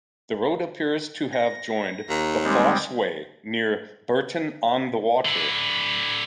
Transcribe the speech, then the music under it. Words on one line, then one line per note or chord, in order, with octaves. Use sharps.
The road appears to have joined the Fosse Way near Bourton-on-the-Water.
A#6
D#2
G3 G#3 C4
D3 E4